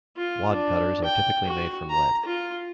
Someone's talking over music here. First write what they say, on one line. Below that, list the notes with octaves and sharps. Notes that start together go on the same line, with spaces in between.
Wadcutters are typically made from lead.
F4
D4
G5
F#4
A#5
F4